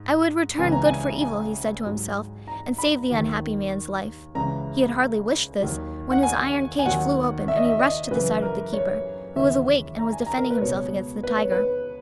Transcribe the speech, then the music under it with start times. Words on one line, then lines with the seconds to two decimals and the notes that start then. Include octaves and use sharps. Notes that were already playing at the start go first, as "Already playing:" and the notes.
"I would return good for evil," he said to himself, "and save the unhappy man's life." He had hardly wished this when his iron cage flew open, and he rushed to the side of the keeper, who was awake and was defending himself against the tiger.
Already playing: G#2
0.59 C#2 C#3 E3 G#5
0.72 A#5
0.85 G#5
1.22 G#5
1.85 G#2 F#3
2.48 A#5
2.78 B5
3.10 D#2 D#3 F#3
4.35 C#2 C#3 E3 A#5
5.60 D#2 D#3 F#3
6.11 F#5
6.23 G#5
6.79 G#5
6.86 D#2 D#3 F#3 F#5
7.48 E5
7.56 D#5
7.65 E5
7.79 D#5
8.10 F#2 C#3 E3 B4
8.42 A#4
8.73 C#5
9.36 D#2 C#3 E3 E5
9.99 A#5
10.13 G#5
10.26 A#5
10.38 A#4
10.50 B4
10.61 C#2 B2 F#3 C#5
11.24 B4
11.37 C#5
11.52 B4